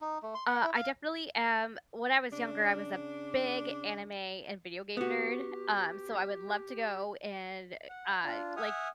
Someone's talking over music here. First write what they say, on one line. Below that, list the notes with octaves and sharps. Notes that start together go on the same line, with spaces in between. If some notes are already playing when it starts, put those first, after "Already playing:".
Uh, I definitely am When I was younger, I was a big anime and video game nerd, um, so I would love to go and, uh, like,
D#4
A3
C6
F#5
E4
F5
C#3 D4
B3 F#4 G4
F#5
D4 F4
E5 F#5 G#5 D#6 F6